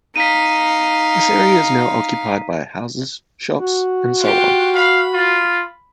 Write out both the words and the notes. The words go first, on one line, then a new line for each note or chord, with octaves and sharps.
This area is now occupied by houses, shops and so on.
D#4 F5 B6 D#7
F#4
F4 G4
F5 B5
F4